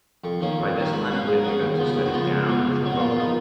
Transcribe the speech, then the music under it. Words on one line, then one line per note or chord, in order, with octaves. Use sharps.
By this time he had begun to study piano and trombone.
F2 C#6
D#3 A#3 C#4
F2
D#3 A#3 C#4
G#2 B5
B5
F#3 C#4 F5
G#2 G#4
A#4
F#3 C#4 G#4
D#2
C#3 F3 B3
D#2 G#4
F#4
C#3 F3 B3 F4
F#4
C#2
B2 F#3
C#2
B2 F#3
F#4
A#2 F4
F4
F3 B3 D#4